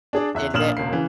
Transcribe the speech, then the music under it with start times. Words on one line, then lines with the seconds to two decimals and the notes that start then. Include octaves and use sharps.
Did it?
0.13 D4 G#4 D5
0.35 E2 E5 F#6
0.54 A#1 A#2 D#6 F6 E7 F#7
0.77 E1 C#2 A#3 C7
0.93 C#3 E3